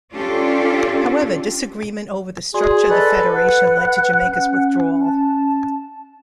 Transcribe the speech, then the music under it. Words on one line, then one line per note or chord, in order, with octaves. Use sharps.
However, disagreement over the structure of the federation led to Jamaica's withdrawal.
C#4 D4 F4 G4 A4 D5
F#4 G#4 D5 C6
G#4 A4 B4 D5 D#5
B4 F#5 F#6
C#4
A5